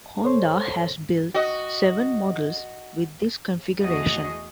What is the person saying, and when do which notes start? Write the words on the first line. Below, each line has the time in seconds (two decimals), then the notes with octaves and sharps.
Honda has built seven models with this configuration.
0.24 A4 C5 C#5 C6
1.34 F#4 D#5
3.79 E2 E3 A3 F#4 G#4 D#5